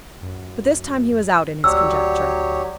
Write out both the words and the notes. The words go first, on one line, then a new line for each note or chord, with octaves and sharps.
But this time he was out in his conjecture.
F#2
D2 F#3 G4 C#5 D5 E6